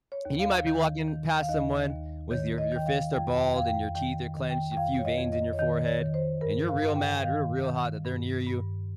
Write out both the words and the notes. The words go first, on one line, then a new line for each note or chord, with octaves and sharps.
And you might be walking past someone with your your fists are balled and your teeth are clenched, a few veins in your forehead, and you're real mad, you're real hot that they're near you
C#5
D#2
F5
D#3
D#3
F5
D#2 D#5
D#2
D#3 C#5
D#5
D#3 G5
F5
F2 G5
G5
F2 F5
G5
D#3 G5
D#3
G5
G5
F2 F5
C#5
D#5
F2
D#5
C#5
D#3 D#5
C#5
D#3
C5
G2 A#4
F5
G2
G5
D#3 F5
D#3
G2
G2